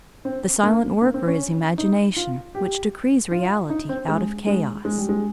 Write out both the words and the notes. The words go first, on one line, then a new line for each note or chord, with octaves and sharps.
The silent worker is imagination which decrees reality out of chaos.
C4
A#3
A#3
C4
C#4
D#4
F4
G4
F4
D#4
C4
G#3
G#3
G#3
G3
G#3